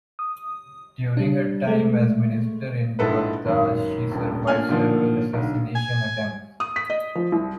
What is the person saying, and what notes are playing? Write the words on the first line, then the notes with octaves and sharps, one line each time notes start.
During her time as minister in Baghdad she survived several assassination attempts.
D#6
G3 D4
G#3 A3
A#1 G#2 E4 A4 B4
G#1 F#2 D#3
D#1 A#1
A#2 D4 G#5 F6
A#2 D3 D#3 F3
B1 D3
G#5
D#6
B6
D#5
F3
C2